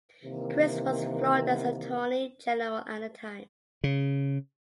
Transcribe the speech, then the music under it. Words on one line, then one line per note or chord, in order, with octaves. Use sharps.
Crist was Florida's Attorney General at the time.
C3 D#3 E3 A#3
C#3